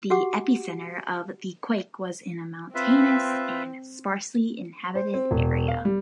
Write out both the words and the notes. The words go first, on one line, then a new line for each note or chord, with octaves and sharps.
The epicenter of the quake was in a mountainous and sparsely inhabited area.
F#4 G4 F#5 D6
C4 F4 B4 E5
C5
C4
E1
F5
G3